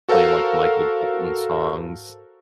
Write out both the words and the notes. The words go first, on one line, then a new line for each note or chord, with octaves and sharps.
playing, like, Michael Bolton songs.
F#4 A4 A#4 C5 F5